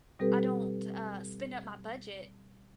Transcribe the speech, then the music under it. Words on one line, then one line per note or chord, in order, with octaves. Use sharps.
I don't, uh, spend up my budget
B2 G3 C4 G4 A4 B4